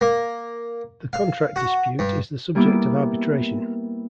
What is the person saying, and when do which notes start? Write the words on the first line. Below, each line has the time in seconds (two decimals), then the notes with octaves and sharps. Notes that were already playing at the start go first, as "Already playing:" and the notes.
The contract dispute is the subject of arbitration.
0.01 A#3
1.13 F5
1.56 F#4
1.99 G2
2.55 G3 A#3 B3 E4 D6